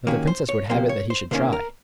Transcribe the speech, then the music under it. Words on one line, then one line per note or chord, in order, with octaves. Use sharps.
But the princess would have it that he should try.
D#2 D#3 A#3 C#4 F#4
C5
C#5
C#2 C3 F3 A#3 C5
C#5
C5
C3 D#3 A#3 C#4 C5
A#4